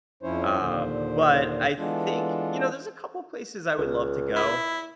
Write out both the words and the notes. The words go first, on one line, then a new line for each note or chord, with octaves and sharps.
Um, but I think you know, there's a couple places I would love to go.
F2 F3 C#4 E4 C5 C#5
D#2 A#2 D3 C5
E3 G#3 B3 D4 F4 A4
C#2
E4